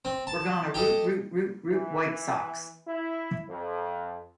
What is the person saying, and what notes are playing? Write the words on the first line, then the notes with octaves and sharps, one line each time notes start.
We're gonna root-root-root-root White Sox.
C4
A5
G4 A4 D#5
E3
E4
F2